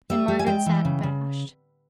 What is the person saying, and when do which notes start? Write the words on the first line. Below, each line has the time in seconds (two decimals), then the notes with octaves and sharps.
And Margaret sate abashed.
0.10 G3 E5
0.28 G3
0.39 G#5
0.47 G#3 G5
0.66 E3
0.85 C#3
1.03 C#3